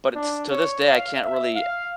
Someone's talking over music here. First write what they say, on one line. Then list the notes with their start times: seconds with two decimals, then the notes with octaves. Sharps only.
but to this day, I can't really
0.15 D4
0.50 C#5
0.89 F5
1.24 E5
1.56 F5